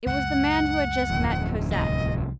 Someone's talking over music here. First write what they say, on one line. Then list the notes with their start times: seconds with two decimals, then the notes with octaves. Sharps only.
It was the man who had just met Cosette.
0.06 C#2 F#2 F#5
1.10 D1 F2
1.71 C2 C3 F3 D#5